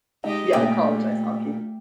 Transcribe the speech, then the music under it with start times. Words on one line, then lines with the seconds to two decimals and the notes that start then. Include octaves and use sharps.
Yeah, college ice hockey.
0.24 G#3 D#4 G4 D#5
0.53 A#2 G3 A3 E5 G5 D6